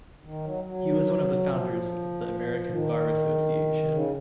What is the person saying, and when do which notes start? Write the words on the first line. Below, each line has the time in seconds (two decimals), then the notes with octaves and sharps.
He was one of the founders of the American Bar Association.
0.24 D#3
0.44 F#3
0.64 F#3
1.46 F3
2.68 D#3
3.84 C3
3.90 C#3